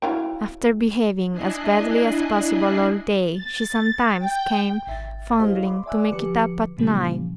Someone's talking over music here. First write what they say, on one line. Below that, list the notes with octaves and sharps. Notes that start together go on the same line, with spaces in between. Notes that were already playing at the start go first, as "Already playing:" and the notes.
After behaving as badly as possible all day, she sometimes came fondling to make it up at night.
F#3 E4 F5 G5
D4 E4 D#5 G#5 F#6 C7
A6
G5
G#1 E5 G5 A6
E4 G4 G#4 C5 D#5 F5
B5 C6 D6
D5 E5 G#5 D6 E6 F#6
D3 F3 G4 B4 D6 C#7
A#2 C#3 E3 F3 G3 A#3